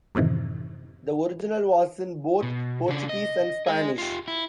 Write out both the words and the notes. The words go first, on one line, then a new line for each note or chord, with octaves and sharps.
The original was in both Portuguese and Spanish.
F#2 A2 C3 D#3 E3
B2
C#3 D4
D#5
G#4 D#5
F4 G4
E4